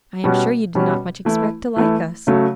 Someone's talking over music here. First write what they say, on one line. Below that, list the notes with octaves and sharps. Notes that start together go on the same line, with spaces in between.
I am sure you did not much expect to like us.
B2 G3 C#4 F#4
B2 G3 C#4 F#4
E3 A3 E4
E3 A3 E4
C#3 F#3 A3